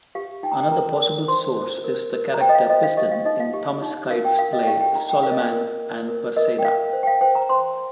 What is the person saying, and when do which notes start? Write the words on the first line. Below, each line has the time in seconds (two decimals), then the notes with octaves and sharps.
Another possible source is the character Piston in Thomas Kyd's play "Soliman and Perseda".
0.15 G4 F5
0.43 D#4 G5
0.52 A#5
0.60 G5
0.71 A#4 A#5
1.00 A#4
1.28 C5 C6
1.56 C5
1.84 A#4
2.13 A#4
2.34 A#5
2.41 C5 G5
2.49 D#5
2.55 F5
2.70 C5 D#5
2.83 F5
2.97 G4 D#5
3.11 F5
3.25 D#4 D#5
3.40 F5
3.54 G4
3.82 D#4
4.11 A#4 F5
4.25 G5
4.39 A#4 F5
4.53 D#5
4.63 G5
4.67 G4 F5
4.81 G5
4.95 D#4 A#5
5.09 G5
5.23 A#4 F5
5.31 D#5
5.38 F5
5.52 A#4
5.80 A#4
6.08 A#4
6.37 A#4 D#5
6.59 G5
6.65 A#4 F5
6.93 C5
7.03 G5
7.07 F5
7.21 C5 G5
7.35 A#5
7.49 C5 C6